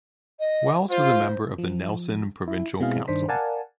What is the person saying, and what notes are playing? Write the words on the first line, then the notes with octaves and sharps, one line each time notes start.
Wells was a member of the Nelson Provincial Council.
D#5
F4 C5
F3
E4
B2 G#3 C4 E4 G#4 F5
G2 D#3 D4 C5 B6
A#4 D5 F5 F#5 G#5 A5